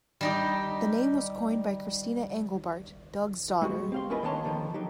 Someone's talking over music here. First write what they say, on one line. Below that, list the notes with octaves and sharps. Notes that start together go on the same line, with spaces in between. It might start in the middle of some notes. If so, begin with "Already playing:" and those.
The name was coined by Christina Engelbart, Doug's daughter.
G3 D#4 G4
G3 G#3 F#4
C4 F5 C6
C#4 E4 F4 A#4 B4 D#5
D#3 A#3 D4 C#5 A5 C6
D3 D#3 F3
F#3 D#4 G4